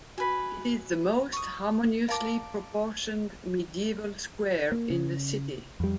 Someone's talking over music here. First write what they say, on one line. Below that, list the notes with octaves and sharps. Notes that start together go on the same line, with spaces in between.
It is the most harmoniously proportioned medieval square in the city.
F#4 B4 G#5 B6
C#6 D#6
A#4 D5 F5 A5 D6
A#3
C#3
F2 G3